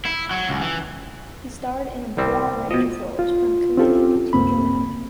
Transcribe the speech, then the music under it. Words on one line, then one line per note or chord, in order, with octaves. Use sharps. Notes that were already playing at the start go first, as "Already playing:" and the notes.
He starred in a broad range of roles from comedic to dramatic.
E4
F#3
C#2
E3
C2 G3 C4
B2 F3 D#5
F4
C4 C#4 F4 G4 A4
C#2 G2 A#3 C4 B5